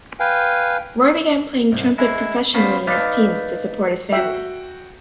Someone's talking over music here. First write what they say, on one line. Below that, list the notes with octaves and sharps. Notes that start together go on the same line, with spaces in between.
Roy began playing trumpet professionally in his teens to support his family.
B4 F5 G5 G#5
C2 G#2
G#3 E4
B3 C#4 F4 B4 C5
D#4 B4 D5 F5
F#4 E5 G5